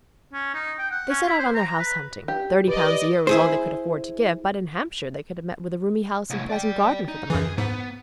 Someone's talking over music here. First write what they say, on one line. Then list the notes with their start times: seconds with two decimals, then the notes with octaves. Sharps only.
They set out on their house-hunting. Thirty pounds a-year was all they could afford to give, but in Hampshire they could have met with a roomy house and pleasant garden for the money.
0.33 C#4
0.54 D#4
0.79 G5
0.91 F#5
1.10 C#4
1.27 E4
1.39 C5
1.55 A#5
1.79 B4
2.28 G4
2.68 B4 D5 D#5
3.27 E4 G#4 C5
6.30 C2 A2
6.50 D5 G5
7.08 D#4
7.30 F#2 E3 G#4
7.58 G#2 B3